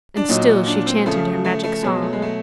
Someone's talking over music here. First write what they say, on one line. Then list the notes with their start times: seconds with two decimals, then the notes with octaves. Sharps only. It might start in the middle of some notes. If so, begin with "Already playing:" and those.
And still she chanted her Magic Song.
0.17 D4
0.29 A#2 F#3 D#4
0.67 D4
0.86 C4
1.06 C#3 F3 A3
1.44 A3
1.63 A3
1.82 B2 F#3 G#3
2.02 A3
2.13 G#3
2.22 A3